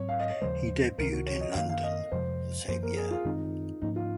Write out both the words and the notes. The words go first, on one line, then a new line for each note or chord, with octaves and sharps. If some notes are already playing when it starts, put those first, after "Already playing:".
He debuted in London the same year.
Already playing: G#2 F#3 C4 C#5
F5
D#5
C#5
D#2 C#3 F3 G#3 C5
C#2 C3 D#3 A#4
F#4
C#5
D#5
F#2 D#3 A#3 F5
F5
D#5
F2 C3 F3 G#3 C5
F#2 F3 A#3 C5
A#4
G#4
F4
F#2 D#3 G#3 C4 D#4
G#2 F3 A#3 C#4 D#4
F4